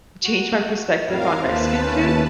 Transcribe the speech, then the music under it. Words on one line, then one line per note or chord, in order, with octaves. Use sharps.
changed my perspective on Mexican food,
F#4
F2 A2 G3 A#4 F5
D#2 F4 B4 C5 A5
A3 C#4